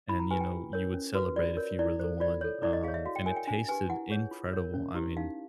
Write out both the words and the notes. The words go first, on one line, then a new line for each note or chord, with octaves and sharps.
And, you know, you would celebrate if you were the one, um, and it tasted incredible. I mean,
E4 B5
A#5
G4 B4 G#5
G5
F4
A#4 C#5
C#4
F#4 B4
F4 D5
A#4 C#5
E4 D5
A4 C5
F4 D5
A4 C#5
E4 D5
D#5
G#4 C#5 F5
E5
F#4 F5
G5
A#4 C#5 G#5
G5
D4 G#5
G4 B4 G#5
E4 F#5
G#4 C#5
F4
A#4 C#5
C#4
E4 G4
D#4 F5